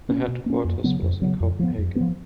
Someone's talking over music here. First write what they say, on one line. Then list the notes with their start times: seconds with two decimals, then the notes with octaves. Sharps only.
The headquarters was in Copenhagen.
0.08 A#3 C#4
0.28 B2
0.46 A#3 C#4
0.65 F2
0.84 C#3 F#3 B3
1.02 F2
1.22 C#3 F#3 B3
1.40 F2
1.59 F3 B3
1.78 F2
1.96 F3 B3